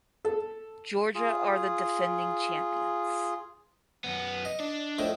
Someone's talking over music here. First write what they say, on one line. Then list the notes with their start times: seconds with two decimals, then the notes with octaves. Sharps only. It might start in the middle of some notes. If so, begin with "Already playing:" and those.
Georgia are the defending champions.
0.25 A4
1.15 F4 G#4
4.04 F#2 B3
4.45 D#5
4.60 D4
4.99 F2 A2 D#5